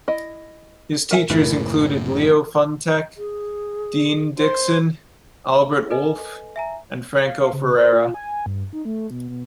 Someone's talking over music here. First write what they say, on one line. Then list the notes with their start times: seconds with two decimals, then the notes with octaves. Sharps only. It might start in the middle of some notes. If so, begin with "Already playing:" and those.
His teachers included Leo Funtek, Dean Dixon, Albert Wolff and Franco Ferrara.
0.08 E4 D#5
1.11 A#4 E5 G#5
1.30 F#1 A2 E3 E4 A#4
3.17 G#4
4.38 C5
5.90 A4 B4 D#5 G#5
6.56 E5 G#5 A#5
7.25 F5
7.53 C#3
7.76 C5
7.93 F4
8.14 G#5
8.46 G2
8.73 D#4
8.85 A3
9.11 B2
9.29 B2